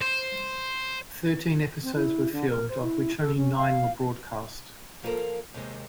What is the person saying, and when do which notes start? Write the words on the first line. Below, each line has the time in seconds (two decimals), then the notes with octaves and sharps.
Thirteen episodes were filmed, of which only nine were broadcast.
0.02 C5
1.82 C4
1.95 E4
2.32 D3
2.48 A#4
2.68 C5
2.82 E4
3.20 A4
3.36 C#4
3.57 F5
5.03 F3 A#3 F4 G4 A4 A#4
5.54 D#2 C3 G#3